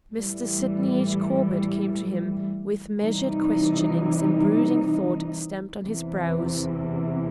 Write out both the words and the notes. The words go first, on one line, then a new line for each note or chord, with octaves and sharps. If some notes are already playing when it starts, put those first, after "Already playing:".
Mr. Sydney H. Corbett came to him with measured questionings and brooding thought stamped on his brows.
A2 E3 G3
C3 E3 G3 D#4
E2 C3 E3